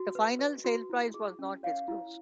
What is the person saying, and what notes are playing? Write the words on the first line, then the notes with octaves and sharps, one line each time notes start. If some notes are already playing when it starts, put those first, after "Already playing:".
The final sale price was not disclosed.
Already playing: F#4
B4
B4
F#4
E4
G#4
C#4
C#5 F5
E4